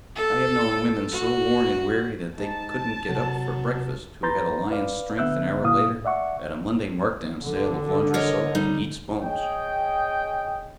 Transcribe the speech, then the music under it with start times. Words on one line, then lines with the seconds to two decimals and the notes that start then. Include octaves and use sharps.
I have known women so worn and weary that they couldn't get up for breakfast who had a lion's strength an hour later at a Monday marked-down sale of laundry soap and Yeats's poems.
0.16 A4
1.12 F#4
2.37 G#2 A5
3.08 C3 F#3
4.23 B4 A#5 C6 G6 A6
4.71 B4 D5 F5
5.18 D3 B3 E5 E6 F#6 G6
5.63 A#2 E4 F5 D#6
5.90 A2
6.05 D5 E5 F#5 C#6
7.42 D3
8.14 A#4 C#5 D#5
8.55 G3 D#4
9.20 G#4 C#5 D#5 G5